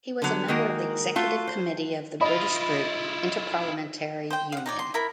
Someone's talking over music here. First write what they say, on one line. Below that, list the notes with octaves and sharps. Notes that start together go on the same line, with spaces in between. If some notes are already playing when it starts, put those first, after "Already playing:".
He was a member of the executive committee of the British Group, Inter-Parliamentary Union.
D3 F#3 B3
D#3 G#3 A#3 F#4 A#4
A3 F4 F#4
C5
E4 F4 D#5 B5
C5 G5
F5 F#5
D#4 C#5 D5
C6
E4 A#4 B5